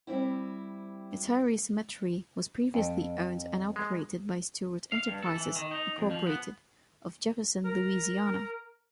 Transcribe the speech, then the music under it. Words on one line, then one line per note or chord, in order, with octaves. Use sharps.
Metairie Cemetery was previously owned and operated by Stewart Enterprises, Incorporated of Jefferson, Louisiana.
G3 C4 E4
F2
G#3
F5
G2
A4
E3
D#3
D#4
F2
F3
B3
A#4